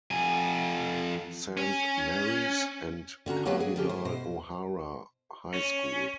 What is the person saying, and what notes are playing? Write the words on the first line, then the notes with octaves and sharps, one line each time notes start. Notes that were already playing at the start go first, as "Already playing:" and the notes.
Saint Mary's and Cardinal O'Hara High School.
F2 G#5
C#4
D3 C#4 F#4 A#5
F#3 A#3 B3 F4 G4 B4
G#4
D3 C#4 G4
E4 C5
B2 C5
C#4